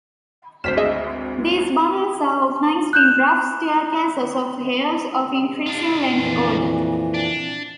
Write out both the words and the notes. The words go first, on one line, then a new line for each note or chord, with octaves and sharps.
These bundles are organized in rough "staircases" of hairs of increasing length order.
G#1 D2 C5 F6 B6 E7
G#4 D#5 E5
F#6 G6 E7
D4 F4
F2 A#2 E3
D4